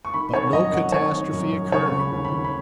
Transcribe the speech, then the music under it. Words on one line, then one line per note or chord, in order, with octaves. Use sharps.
But no catastrophe occurred.
C#6
D#3 B5
D#3 C#5
F#2 D#5
F#2 F#5
D#3 C#5
D#3
F#2
F#2
C#3 C#5
C#3 C#6
B5
D#2
B5
D#2
B5